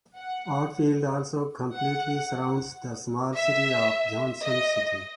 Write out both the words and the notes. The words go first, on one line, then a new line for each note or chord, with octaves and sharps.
Oatfield also completely surrounds the small city of Johnson City.
F#5
F#5
E5
D#5